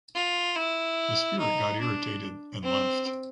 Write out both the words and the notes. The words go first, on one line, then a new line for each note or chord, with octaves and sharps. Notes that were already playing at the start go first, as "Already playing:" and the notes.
The spirit got irritated and left.
F4
E4
D#4
D4
C4